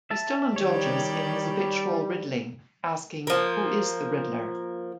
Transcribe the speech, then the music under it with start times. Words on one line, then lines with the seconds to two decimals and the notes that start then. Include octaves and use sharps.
He still indulges in his habitual riddling, asking Who is the Riddler?
0.10 E5 A5
0.56 D#3 G3 G4 C#5 D5
3.27 F3 A#3